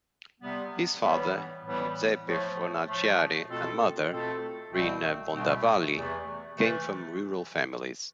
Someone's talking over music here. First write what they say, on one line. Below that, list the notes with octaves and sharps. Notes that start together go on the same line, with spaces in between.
His father, Giuseppe Fornaciari, and mother, Rina Bondavalli, came from rural families.
C3 G3 B3
A2 E3 G3 B3
A2 E3 G3 B3
A2 F3 A3
A2 F3 A3
B2 A3 C4 F4 A4
B2 A3 C4 F4 A4
C2 B2 A3 C4
C2 B2 A3 C4
E2 C3 E3 A3
C3 E3 A3